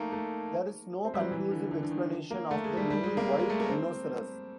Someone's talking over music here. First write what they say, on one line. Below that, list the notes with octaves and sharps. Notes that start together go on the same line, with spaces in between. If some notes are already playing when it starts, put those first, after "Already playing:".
There is no conclusive explanation of the name white rhinoceros.
Already playing: A3 A#3 D#4
A3
C4
G3
F#3
E3
D3
D3
D3
D#3
A#3
A3
G#3
G3
G3
G#3
A#3
G#3
A3
A#3
C4